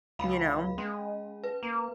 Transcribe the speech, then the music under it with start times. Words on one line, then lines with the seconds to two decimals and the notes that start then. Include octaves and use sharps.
You know?
0.19 C#2 F5 B5
0.78 G#3 C#4
1.44 B4
1.63 A#3